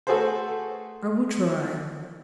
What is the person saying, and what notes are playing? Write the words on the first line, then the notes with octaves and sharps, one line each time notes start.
"I will try."
A3 F#4 G#4 A4 B4 C5